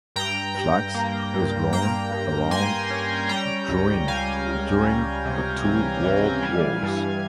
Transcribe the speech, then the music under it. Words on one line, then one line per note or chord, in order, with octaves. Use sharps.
Flax was grown around Drouin during the two world wars.
G2 G5 A#5
G2
A#3
G2
A#3 G5 A#5
G2
A#3 G#5 C6
C#4
G3 G5 A#5
C#2
G3 F5 G#5
C#2
G3
C3
E3
E3
G3
G2